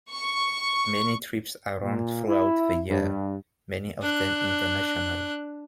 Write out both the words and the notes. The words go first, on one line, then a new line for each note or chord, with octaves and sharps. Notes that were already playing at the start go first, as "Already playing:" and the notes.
Many trips are run throughout the year, many of them international.
C#6
A#2
E4
G2
D4 F#6